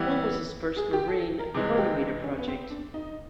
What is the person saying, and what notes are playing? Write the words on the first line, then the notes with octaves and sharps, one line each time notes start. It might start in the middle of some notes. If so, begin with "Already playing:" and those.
One was his first marine chronometer project.
Already playing: E3 G3 B3 E4
G#4
G4
A4
A#4
C3 E3 G#3 G#4
G4
D4
C#4
B3
C4
D4
D#4